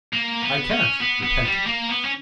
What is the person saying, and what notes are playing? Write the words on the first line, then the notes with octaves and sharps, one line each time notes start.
I can't repent it.
A#3
B3
C#4
B3
B3
G3
A#3
B3
C#4